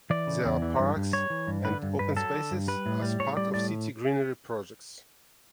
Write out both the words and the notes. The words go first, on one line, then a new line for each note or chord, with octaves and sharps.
There are parks and open spaces as part of city greenery projects.
E3 D5
C#3
E2
E3
G2
G2
G3 C#5
E3
G2
D3 B4
G2
G2 B4
F#3 A4
D3
G2
G3 B4
A2
G3
A2 C#5
G3 D5
A2 D5